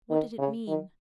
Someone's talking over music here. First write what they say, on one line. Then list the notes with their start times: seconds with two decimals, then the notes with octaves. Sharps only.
What did it mean?
0.10 D#3
0.38 C#3
0.68 D#3